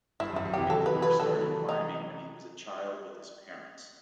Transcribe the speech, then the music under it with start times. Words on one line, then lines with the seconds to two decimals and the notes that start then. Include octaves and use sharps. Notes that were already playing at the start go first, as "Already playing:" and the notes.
McClure started climbing when he was a child with his parents.
0.20 G2 E4
0.33 F#2
0.36 E4
0.45 F#2
0.54 C3 E3 G4
0.70 D#3 F#3 A4
0.86 B4
0.95 C3 E3
1.02 B4
1.19 D#3 F#3 A4
1.37 D#3
1.44 C3 E3
1.69 D#4